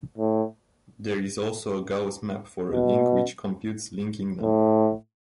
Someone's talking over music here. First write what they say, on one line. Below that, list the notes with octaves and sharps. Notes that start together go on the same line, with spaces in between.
There is also a Gauss map for a link, which computes linking number.
A2
B2
A2